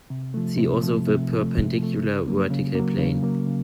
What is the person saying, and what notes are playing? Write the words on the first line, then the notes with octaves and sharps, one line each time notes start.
See also the perpendicular vertical plane.
C3
F3 A3
C3
F3 A3
C3
F3 A3
C3
F3 A3
C#3
F#3 A#3
C#3
F#3 A#3
C#3
F#3 A#3
C#3